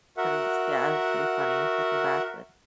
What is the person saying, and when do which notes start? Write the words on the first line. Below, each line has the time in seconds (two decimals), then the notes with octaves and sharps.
then it's, yeah. It was pretty funny looking back. But
0.17 F#4 A#4 E5 F#5